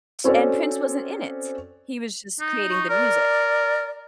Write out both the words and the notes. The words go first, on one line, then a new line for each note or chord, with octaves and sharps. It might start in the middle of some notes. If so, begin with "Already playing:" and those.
and Prince wasn't in it, he was just creating the music.
C4 C#4 F#4 A4 C5 D5
D#4
C#6
A#4 D5